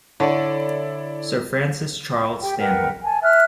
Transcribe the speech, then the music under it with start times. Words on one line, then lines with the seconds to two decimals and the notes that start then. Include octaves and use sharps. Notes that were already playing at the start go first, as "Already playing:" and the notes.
Sir Francis Charles Stanhope.
0.20 D3 E4 A4 C#5 D5
2.42 G4 G5
2.59 A#4 B4 F#5 G5
3.03 G#5 A5
3.22 E5 F6 F#6